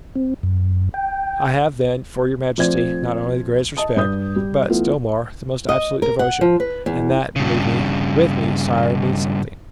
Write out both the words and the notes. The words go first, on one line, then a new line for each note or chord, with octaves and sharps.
I have, then, for your majesty, not only the greatest respect, but, still more, the most absolute devotion; and that, believe me, with me, sire, means something.
C4
F#2
G5
F3 A3 C4 C5 D5 G#6
D#5 A5 D#6
G2 D#6 G6
G3
E3 A3 B3 F4
D#5
A#4
F#5
F3
B4
E2
G2 C#3